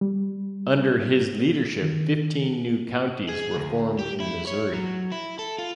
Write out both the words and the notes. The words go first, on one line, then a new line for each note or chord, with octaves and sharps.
Under his leadership fifteen new counties were formed in Missouri.
G3
D#3
G#4
D2
G4
E4
C#5
F#3
E4
A4
F4